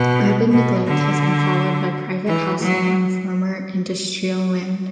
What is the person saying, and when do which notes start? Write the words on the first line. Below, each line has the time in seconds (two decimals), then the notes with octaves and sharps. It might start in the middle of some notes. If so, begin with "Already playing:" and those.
Urban neglect has been followed by private housing on former industrial land.
Already playing: B2
0.51 B2
0.87 D3
2.27 E3
2.62 F#3